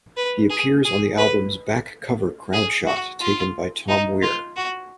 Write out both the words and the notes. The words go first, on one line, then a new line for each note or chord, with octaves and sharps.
He appears on the album's back cover crowd shot taken by Tom Weir.
B4
G#4
G#4
B4
G#4
F#4
F4
D#4
F4
F#4